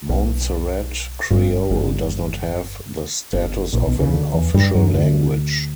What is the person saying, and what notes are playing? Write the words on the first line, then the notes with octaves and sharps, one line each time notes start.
Montserrat Creole does not have the status of an official language.
B1 B2
G1 G2
G1 G2
G1 G2
A#1 A#2
B1 B2
C#2 C#3
D2 D3
E2 E3
G2 G3
F#2 F#3
E3
D2 D3